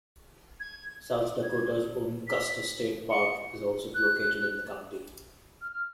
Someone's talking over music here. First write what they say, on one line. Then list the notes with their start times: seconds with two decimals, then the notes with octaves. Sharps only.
South Dakota's own Custer State Park is also located in the county.
0.60 G#6
1.43 G#6
2.27 B6
3.11 C#7
3.95 F#6
5.61 F6
5.72 F6